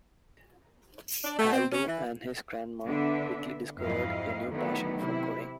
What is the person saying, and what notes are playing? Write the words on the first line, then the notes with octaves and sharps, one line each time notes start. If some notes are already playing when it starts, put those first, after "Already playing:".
Aldo and his grandma quickly discovered a new passion for coding.
D4
A3
C4
C#4
E3
D3 B3 D4 E5
F2 G#2 F#3 E4 D#5 F5
D3 D#3 F#3 A3 B3 E4
C3 E4